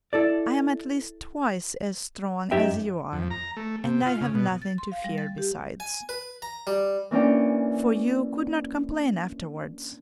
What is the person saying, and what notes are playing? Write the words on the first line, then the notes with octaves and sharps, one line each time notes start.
I am at least twice as strong as you are and I have nothing to fear, besides. For you could not complain afterwards.
E4 A4 D5
F#2 D#4 G4 E5 G5
F2
A#5
A3
C3
F4
C#3
B2
A6
C6
F5
G3
A6
G4
G#5
B4
A#5
G3
E3 A#3 C#4 D4 G5